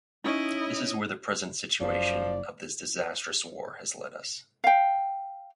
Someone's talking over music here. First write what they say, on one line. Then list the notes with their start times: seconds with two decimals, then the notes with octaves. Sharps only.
This is where the present situation of this disastrous war has led us.
0.24 C#4 D#4 E4 D#5
1.81 F#1 F3 D5
4.64 F5 G5